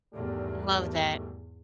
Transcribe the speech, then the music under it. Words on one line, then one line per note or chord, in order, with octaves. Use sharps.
Love that.
E2 G#2 D#3 G3 A3